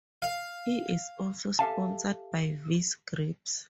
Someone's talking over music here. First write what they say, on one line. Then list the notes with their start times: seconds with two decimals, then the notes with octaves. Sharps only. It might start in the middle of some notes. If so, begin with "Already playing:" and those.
He is also sponsored by Vise Grips.
0.22 F5
1.59 G4 A4 E5 F5 G#5 A5